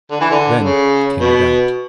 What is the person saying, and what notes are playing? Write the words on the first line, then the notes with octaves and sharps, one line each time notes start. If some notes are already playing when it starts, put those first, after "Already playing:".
Then came a doubt.
D3
E3
D3
C#3
B2